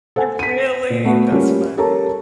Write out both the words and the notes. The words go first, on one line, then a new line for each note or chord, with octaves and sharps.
Really? That's funny.
A4 C5 F#5 G#5
B6 D#7
A#2
A3 B3 F#4
G3 A#3 C#4 F4
G4 A4 A#4 C#5 A5 A#5